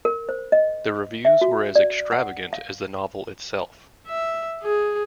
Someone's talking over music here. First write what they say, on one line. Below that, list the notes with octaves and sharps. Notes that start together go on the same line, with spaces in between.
The reviews were as extravagant as the novel itself.
A#4
C5
D#5
E5
F#4
D5
F#5
F5
E5
G#4